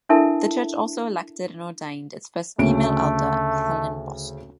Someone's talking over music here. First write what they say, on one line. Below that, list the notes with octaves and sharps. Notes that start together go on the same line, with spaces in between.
The church also elected and ordained its first female elder, Helen Bosler.
D4 E4 A4 A#4 E5 A5
D2 C#3 A3 D7